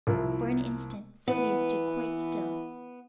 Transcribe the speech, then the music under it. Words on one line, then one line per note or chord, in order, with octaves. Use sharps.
For an instant Sylvia stood quite still.
C2 F3 E4 A#4
E3 B3